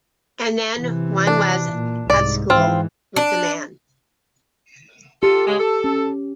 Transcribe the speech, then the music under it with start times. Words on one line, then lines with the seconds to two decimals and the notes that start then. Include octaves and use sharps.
And then one was at school with the man.
0.78 C3 E3
1.27 D4
1.72 A#2
2.10 C2 G#2 D5
2.50 G#2 E3 C4 F4
3.16 D4
5.23 F4 G4 A4
5.47 C#3 G#3
5.60 A4
5.84 C#4